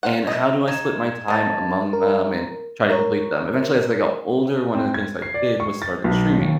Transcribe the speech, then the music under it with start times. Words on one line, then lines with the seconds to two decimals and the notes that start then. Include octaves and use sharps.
and how do I split my time among them and try to complete them? Eventually, as I got older, one of the things I did was started streaming,
0.03 F4 C5 F#5
0.27 D#5 E5
0.68 D#4 G#6 E7
1.28 A#3 D#5 A5 A6
1.93 A#4
2.90 A#4 C#5
4.75 C4
4.94 G#6
5.22 C7
5.34 D5
5.60 C#6
5.82 A6
6.04 B1
6.39 D#2